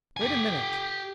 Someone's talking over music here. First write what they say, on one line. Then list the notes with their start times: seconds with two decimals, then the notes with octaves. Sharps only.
"Wait a minute."
0.17 G4 G#5